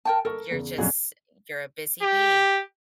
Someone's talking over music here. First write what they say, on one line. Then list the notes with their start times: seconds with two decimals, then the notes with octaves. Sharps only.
you're just you're a busy bee.
0.05 A#4 G5 A5
0.25 A4 A#4 C#6
0.51 E2 C#3
0.78 F2 A#2 F#3 C#4 F#4 G#4
2.03 G4